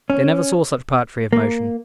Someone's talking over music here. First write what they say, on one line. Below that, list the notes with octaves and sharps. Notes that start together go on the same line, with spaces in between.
They never saw such poetry of motion.
C#4
A#3